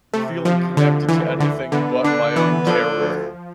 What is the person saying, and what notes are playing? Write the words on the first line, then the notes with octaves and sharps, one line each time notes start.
feeling connected to anything but, my own terror,
C3 A3
C3 F3
D2 D3
D2 E3
D3 E3
D3 B3
D3 D4
E3 B3
D3 F3
D2